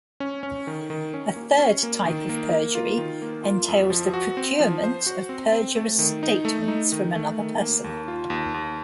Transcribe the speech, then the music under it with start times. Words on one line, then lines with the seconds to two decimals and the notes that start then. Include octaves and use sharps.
A third type of perjury entails the procurement of perjurious statements from another person.
0.20 C#4
0.43 C#4
0.67 D#3
0.90 D#3
1.14 C#4
1.36 A#3
1.59 C#4
1.83 A#3
2.05 D#3
2.29 A#3
2.52 A#3
2.75 F4
2.98 D#3
3.22 A#3
3.44 F4
3.68 F2
3.90 F3
4.13 F#4
4.37 C4
4.60 F3
4.84 C5
5.06 F#4
5.29 C4
5.52 C4
5.76 A3
5.99 D#3
6.23 D#4
6.45 A3
6.68 D#4
6.92 D#3
7.15 A3
7.38 D#3
7.61 A#3
7.84 D#2
8.08 F4
8.30 D#2
8.54 D#2